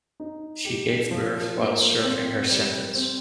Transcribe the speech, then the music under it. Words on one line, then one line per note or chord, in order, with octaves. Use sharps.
She gave birth while serving her sentence.
D#4
G4
F3
A#3
C4
G3
C4